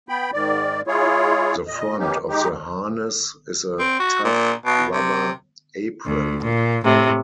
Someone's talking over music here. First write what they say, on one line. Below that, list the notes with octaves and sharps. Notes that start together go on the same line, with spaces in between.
The front of the harness is a tough rubber "apron".
B3 G5 B5
G#2 D#3 D5
G#3 E4 F4 G#4 C#5
A#2 D#5
A#3 B3 C#4 D#4 G4
G#3 D#4 G4
C4
F#4
A#2
B2
C3
D2
A#2
A2 C3